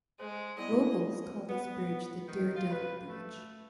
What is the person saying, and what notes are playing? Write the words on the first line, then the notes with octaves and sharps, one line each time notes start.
Locals call this bridge the Daredevil Bridge.
G#3 C5
G3 B3 E4 D#5
B3
D#3
F4
B4
A3